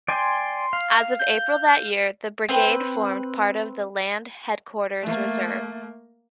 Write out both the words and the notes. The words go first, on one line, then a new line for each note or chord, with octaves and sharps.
As of April that year, the brigade formed part of the Land Headquarters Reserve.
D5 G5 G#5 C6
F5
G6
C4 B4
A3 A#3